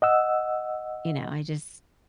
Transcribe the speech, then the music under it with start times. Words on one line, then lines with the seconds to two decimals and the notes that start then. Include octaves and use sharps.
you know, I just
0.02 D#5 F#5 E6